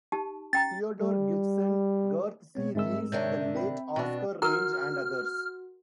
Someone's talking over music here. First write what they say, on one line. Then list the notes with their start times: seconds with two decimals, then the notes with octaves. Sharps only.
Theodore Gibson, Garth C. Reeves, the late Oscar Range and others.
0.12 D#4 G4 A5
0.53 C#4 G5 A#5 A6
1.00 G3
2.55 B2 B3 C4 C#5
2.75 G#2 G#3 C4 A#4 E5 E6
3.12 C3 D#3 D4 C#5 G6
3.41 E5
3.55 C4 G5 B5
3.96 B2 D4 F#4
4.42 F#4 A#4 A#5 F6